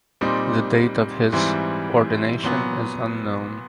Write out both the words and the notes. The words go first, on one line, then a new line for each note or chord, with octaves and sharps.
The date of his ordination is unknown.
A#2 G3 C4 D#4
G#2 E3 G3 C4 E4
A#2 F#3 B3